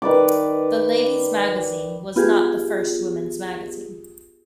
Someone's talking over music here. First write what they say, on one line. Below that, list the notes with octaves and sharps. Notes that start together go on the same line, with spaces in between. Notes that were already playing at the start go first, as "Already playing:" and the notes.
"The Lady's Magazine" was not the first women's magazine.
D#3 B4 D5 D6
B3 F4 G4 G#4